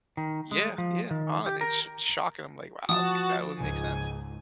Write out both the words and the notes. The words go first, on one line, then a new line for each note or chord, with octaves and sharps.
Yeah, yeah, honestly, it's sh shocking. I'm like, "Wow, like, that would make sense."
D#3
G#3
F3
D#3
G4
A#4
F3 F#4 A5 D#6
C#2 G#2 G#5